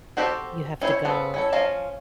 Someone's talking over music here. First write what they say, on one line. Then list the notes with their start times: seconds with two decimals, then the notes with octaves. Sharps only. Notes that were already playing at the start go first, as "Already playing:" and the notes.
You have to go.
0.17 C4 F#4 G4 A4 C5
0.81 C#4 E4 C5 C#5
1.05 B3 C4 A4
1.34 C#4 E4 A4
1.52 F3 C#4 F5 A5 A#5